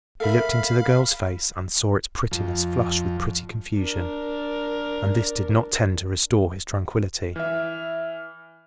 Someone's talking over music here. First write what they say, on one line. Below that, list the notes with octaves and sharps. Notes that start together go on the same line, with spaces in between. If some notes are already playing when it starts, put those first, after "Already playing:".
He looked into the girl's face and saw its prettiness flush with pretty confusion, and this did not tend to restore his tranquillity.
A4 A#4 E5 F5 B5
F2
D4 A#4
E3 E5 F6